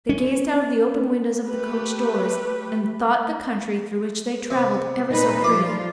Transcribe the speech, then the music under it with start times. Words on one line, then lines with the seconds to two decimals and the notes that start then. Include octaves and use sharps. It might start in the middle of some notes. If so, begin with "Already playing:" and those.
They gazed out of the open windows of the coach doors and thought the country through which they traveled ever so pretty.
0.09 C#4
1.43 A3 G4 B4
4.50 C3
5.10 A#2 D#4 B4
5.44 F3 F4 D5